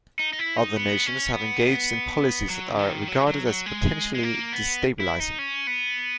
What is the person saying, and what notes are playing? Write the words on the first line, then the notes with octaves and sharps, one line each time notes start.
Other nations have engaged in policies that are regarded as potentially destabilizing.
D#4
D#4
E4
D#4
B3
C#4
B3
F#3
C#3
D#3
F#3
F#3
F#3
G#3
G#3
A#3
B3
E4
D#4
C#4
B3